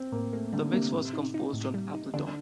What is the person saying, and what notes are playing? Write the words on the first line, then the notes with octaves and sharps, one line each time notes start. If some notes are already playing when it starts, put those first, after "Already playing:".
The mix was composed on Ableton.
Already playing: C4
A2 A#3
A3 A#3
D3 G3
C3 A#3
A2
D#4
D#4
A2
G3
D#4
D3 D4